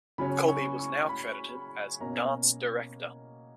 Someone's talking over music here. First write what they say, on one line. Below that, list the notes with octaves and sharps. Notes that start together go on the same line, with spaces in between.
Colby was now credited as "Dance Director".
C#3 F#3 C#4 B5
C#6
C#6
B5
B2 A#3 C#4 A#5